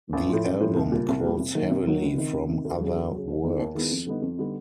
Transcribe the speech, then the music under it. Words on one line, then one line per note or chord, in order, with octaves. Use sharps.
The album quotes heavily from other works.
A1
A2 F3
A1
A2 F3
C2
A#2 G3
C2
A#2 G3
C3
D#3 F#3 A#3
C3
D#3 F#3 A#3
C#2
C3 D#3
C#2
C3 D#3
D2
C#3 F#3
D2
C#3 F#3
D#2
D#3 G#3 B3 E4
D#2
D#3 G#3 B3 E4
F2
D3 G3 B3 D#4
F2
D3 G3 B3 D#4